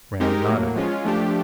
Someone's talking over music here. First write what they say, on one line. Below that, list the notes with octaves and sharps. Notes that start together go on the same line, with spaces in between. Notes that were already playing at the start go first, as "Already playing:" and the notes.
Rand nodded.
G#3 C4 D#4 G4 A#4
A2 F#3 A#3
F3 G#3 C#4 F4
F3 A3 D4 G4